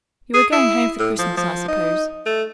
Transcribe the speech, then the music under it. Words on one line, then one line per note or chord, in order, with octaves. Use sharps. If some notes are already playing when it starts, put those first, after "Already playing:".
"You are going home for Christmas, I suppose."
G#4
E4
A2
F3
F3
D#4
A3